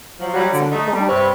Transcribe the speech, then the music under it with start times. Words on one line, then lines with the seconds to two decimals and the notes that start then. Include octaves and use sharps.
That's a lot.
0.20 F3 F#3
0.34 F#3 G3
0.52 D3
0.71 A3 D#4
0.92 G3
1.08 G2 C3 C4 E4 B4 C#5